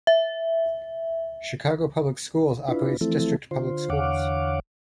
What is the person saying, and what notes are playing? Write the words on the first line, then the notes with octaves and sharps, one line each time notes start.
Chicago Public Schools operates district public schools.
E5
D4 E4 F4 B4
E3 F3 A3 C4 E4 A4
D3 F4 C5
E2 D3 C#5 F5 F#5 D6